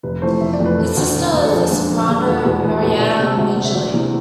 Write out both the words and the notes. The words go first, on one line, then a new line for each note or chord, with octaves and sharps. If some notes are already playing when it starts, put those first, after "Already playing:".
His sister is the soprano Maryetta Midgley.
F1 B4
F2 E3 A3 C5
F1 E5
D5
F2 E3 A3
B4
E1 A4
D2 D3
E1
D2 D3
A4
F2 G#4
D3 F3 G#3
F2
D3 F3 G#3
B4
E1 A4
E2 B2 G#3
E1 B4
E2 B2 G#3
D2 D5
C3 G#3
D2
C3 G#3
E5
D2 D5
C3 E3 G#3